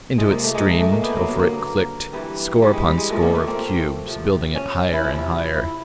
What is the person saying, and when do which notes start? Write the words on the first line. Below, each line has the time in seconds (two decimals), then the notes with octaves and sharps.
Into it streamed, over it clicked, score upon score of cubes, building it higher and higher.
0.18 C3 F3 G#3
0.30 A#3
0.43 A3
0.55 G#3
0.80 A3
0.92 A#3
1.03 B3
1.15 G2 D3 F#3 A#3
1.39 A#3
2.13 G2 E3 G3
2.62 G3
2.73 G#3
2.86 G3
2.97 G#3
3.10 A#2 F3 A3
3.22 A#3
3.35 A3
3.47 C4
4.07 C3 F3
4.55 C#4
4.93 E4
5.04 C3 F3 E4
5.54 E4